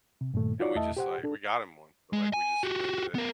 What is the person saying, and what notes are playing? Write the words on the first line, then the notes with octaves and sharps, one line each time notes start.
and we just, like, we got him one, but, like, we just limit it,
C3
G2 A#2 D#3 A3
D#4 F4 F#4 C#5 D5
E2 A3 E4 D#5 E5 A5
G4 C5 F#5
D4 A4
G#3
G#5
F#4 G4
B3 A#4